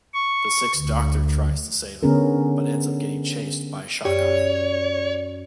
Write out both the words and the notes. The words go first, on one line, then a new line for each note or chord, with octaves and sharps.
The Sixth Doctor tries to save him, but ends up getting chased by Shockeye.
C#6
D2
D3 B3 C#4 G#4 A#4
F#2 G4 C#5 D5